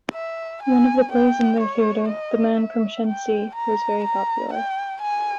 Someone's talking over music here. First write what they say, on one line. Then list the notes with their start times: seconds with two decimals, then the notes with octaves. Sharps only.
One of the plays in their theatre, "The Man from Shensi", was very popular.
0.14 E5
0.64 G#5
1.13 G5
1.61 C#5
2.09 D#5
2.58 E5
3.08 G5
3.56 A#5
4.05 A#5
4.54 G5
5.02 G#5